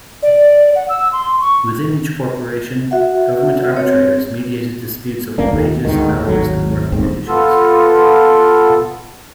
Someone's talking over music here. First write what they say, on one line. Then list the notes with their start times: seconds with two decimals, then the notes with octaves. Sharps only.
Within each corporation, government arbitrators mediated disputes over wages, hours, and working conditions.
0.23 D5
0.75 F#5
0.89 E6
1.12 C6
1.41 C#6
2.91 F#4 E5 F#5
3.72 C4 C#5
5.38 F#1 C#2 A#3 D4
5.50 D#2 D#3
5.85 D2 G#2 D#3
6.11 D#2
6.28 G#1 D#2 G#2 F#3
6.92 D#1 D#2 G#2 C4
7.28 B3 F4 A4